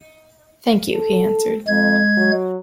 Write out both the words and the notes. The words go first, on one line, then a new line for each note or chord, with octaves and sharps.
"Thank you," he answered.
A4
F2 G#3 G#6
F#3